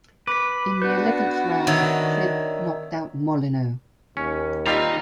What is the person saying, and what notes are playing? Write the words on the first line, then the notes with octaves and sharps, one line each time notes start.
In the eleventh round Cribb knocked out Molineaux.
B4 D6 B6
B3 D4 F#4 B4 G6
D#3 C#5 E5 E6
D#2 C#4
G3 C4 D#4 F4 D#5 A#5